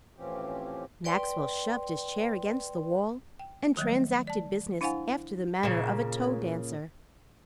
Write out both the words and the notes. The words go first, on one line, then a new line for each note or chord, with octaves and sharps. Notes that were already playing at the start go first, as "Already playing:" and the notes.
Maxwell shoved his chair against the wall and transacted business after the manner of a toe dancer.
A2 E3 F3 C4 C#4 G4
B4 D5 G5 C6
G5
D#3 F#3 G3 A3
D5 A5
D4 E4 C5 F5 F#5 G#5
A#2 C#3